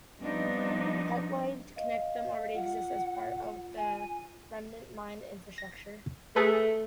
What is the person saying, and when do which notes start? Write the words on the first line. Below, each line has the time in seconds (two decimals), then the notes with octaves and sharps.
The pipeline to connect them already exists as part of the remnant mine infrastructure.
0.20 F3 G3 B3 C4 D4 D#4
1.76 D#5 F5
2.54 F4 F#5
3.77 G#5
5.58 A#6
6.36 A3 G#4 A4 B4